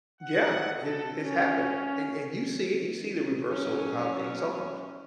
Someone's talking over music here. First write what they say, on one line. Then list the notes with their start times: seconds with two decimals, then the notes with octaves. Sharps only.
Yeah, it it's happening, and and you see you see the reversal of how things are,
0.21 F#5
0.74 A4
1.13 C#4
3.51 F#3 C#4